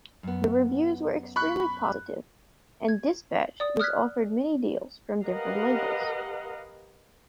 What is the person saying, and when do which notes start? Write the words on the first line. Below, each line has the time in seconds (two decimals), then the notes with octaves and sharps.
The reviews were extremely positive and Dispatched was offered many deals from different labels.
0.23 F#2 B3
1.36 B5 C#6 F#6
2.88 G#6
3.60 D5 D#6
3.80 D#6 F6 F#6 G#6 B6
5.25 G4 A#4 B4 D#5 F5 F#5